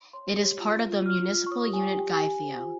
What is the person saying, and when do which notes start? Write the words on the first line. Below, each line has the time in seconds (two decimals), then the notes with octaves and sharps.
It is part of the municipal unit Gytheio.
0.13 C#5 C6
0.29 G4
0.45 C#5
0.60 F4
0.75 F4
0.90 F4
1.05 F4 F6
1.21 F4
1.35 F4
1.46 C#6
1.51 C#5 D#6
1.66 G4
1.73 G#5
1.82 G4
1.97 G4 G5
2.12 G4 G#5
2.27 G4 G#5
2.43 C5
2.59 F4